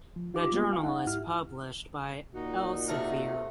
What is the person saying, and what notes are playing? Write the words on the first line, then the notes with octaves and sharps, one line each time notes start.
The journal is published by Elsevier.
F3
D#4 F4 G4 D6
G3 A#3 B3 F4
F5 G#5
D#4 F#5
G#2 E4 G4 F6
A#2 D#4 F#4
C3 A3 F5